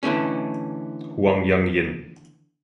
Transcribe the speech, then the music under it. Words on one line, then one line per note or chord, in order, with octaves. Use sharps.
Huang Yang Yin.
D3 E3 A3 C#4